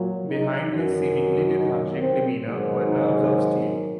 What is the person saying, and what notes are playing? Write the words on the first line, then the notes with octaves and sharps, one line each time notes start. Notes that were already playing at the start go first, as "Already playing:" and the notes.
Behind his seemingly lethargic demeanor were nerves of steel.
Already playing: A#2 F#3
D#4
F#2 D#3 F#3
D#4
C4
G#2 D#3 F#3
D#4